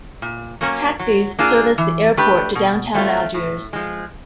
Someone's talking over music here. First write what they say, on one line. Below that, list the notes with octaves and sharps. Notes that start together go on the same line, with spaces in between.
Taxis service the airport to downtown Algiers.
A#2
F#3 A#3 C#4
F#3
A#3 D4 F4 G#4
E3
A3 D4 G4 B4
B2
F#3 A3 C4 F4
A2
F3 G#3